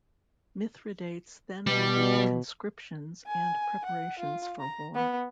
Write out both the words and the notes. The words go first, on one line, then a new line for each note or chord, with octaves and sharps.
Mithridates then ordered the conscriptions and preparations for war.
B2 G3
G#5
F#5
F4
A#5
B3